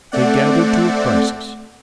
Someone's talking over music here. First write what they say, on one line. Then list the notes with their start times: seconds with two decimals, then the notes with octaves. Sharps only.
They gathered to a crisis.
0.12 A3 C4 D5 F#5